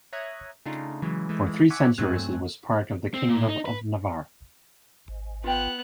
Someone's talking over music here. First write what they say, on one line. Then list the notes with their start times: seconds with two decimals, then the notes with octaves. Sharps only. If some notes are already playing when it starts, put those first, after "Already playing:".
For three centuries it was part of the Kingdom of Navarre.
0.13 C#5 E5 A#5 D#6 F#6 G#6
0.65 C#3 A3 D4 D#4 F4
1.02 C#3 E3 F#3 G#3
1.29 E3 G#3 A3
1.70 E5 F#5 G#5 B5 C#6 D6
1.98 G2 F#3 A3 C4 G#5 F#6
3.14 C4
3.29 A#2
3.49 D#4
3.66 B4
5.08 G#1
5.44 B3 F4 F5 G5 F#6